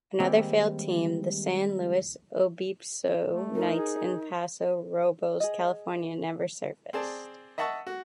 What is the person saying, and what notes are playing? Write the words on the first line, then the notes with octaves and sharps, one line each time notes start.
Another failed team, the San Luis Obispo Knights in Paso Robles, California, never surfaced.
D#3 G3 G#3 A#3 C4
A3
D#4 A#4
G#4
G#4 D#5
C4 G#4 D5 A5
D#5 E5 F#5 A5 C#6 E6
F#4